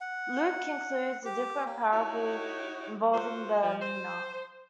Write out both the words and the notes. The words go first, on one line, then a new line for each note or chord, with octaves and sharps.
Luke includes a different parable involving the mina.
F#5
G4
A#3
D#4 E4 F#4 G4 C#5
F#3 F4 F#4 C5
F3
C5